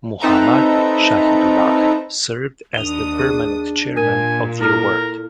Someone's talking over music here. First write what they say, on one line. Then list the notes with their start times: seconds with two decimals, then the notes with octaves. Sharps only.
Muhammad Shahidullah served as the permanent chairman of the award.
0.21 C4 D#4 A4 B4 E5 A#5
2.74 D#2 D4 D#6 F7 G7
3.19 G#4
3.96 A#2 A#4 G#5 D#7
4.61 E4 A4 A#4 F6